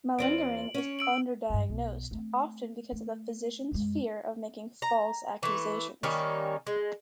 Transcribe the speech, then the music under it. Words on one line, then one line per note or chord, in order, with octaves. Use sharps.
Malingering is underdiagnosed, often because of the physician's fear of making false accusations.
E2 C4 F4 D7 F#7
C#4 C#5
E6 D7 F#7
G2 D#3
B1
A3 C4
A3
F#2 G#3
A#5
E3 A3
D#3 G3 A#3 C#4
G#3